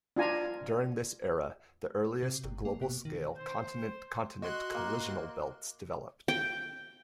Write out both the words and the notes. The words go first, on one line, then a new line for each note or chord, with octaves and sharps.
During this era the earliest global-scale continent-continent collisional belts developed.
D4 F4 G#5 A#5
C3
G1
A#3
B2
D#3
C5
F#4 D#5 C6 F#6
A#3
G5